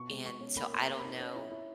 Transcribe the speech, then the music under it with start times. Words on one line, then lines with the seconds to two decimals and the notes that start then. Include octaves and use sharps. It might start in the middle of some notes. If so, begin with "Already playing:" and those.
and so, I don't know
Already playing: B2 C#6
0.10 G#3
0.25 G#3 C#6
0.40 C#4
0.56 A#3 B5
0.73 A#3
0.78 A#5
0.88 A#3
0.99 B5
1.05 D#4
1.20 C#4
1.36 E4
1.51 E4